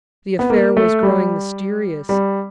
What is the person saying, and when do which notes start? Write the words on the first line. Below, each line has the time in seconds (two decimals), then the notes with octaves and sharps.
The affair was growing mysterious.
0.39 B3
0.50 A#3
0.77 A3
1.03 G3
2.09 G3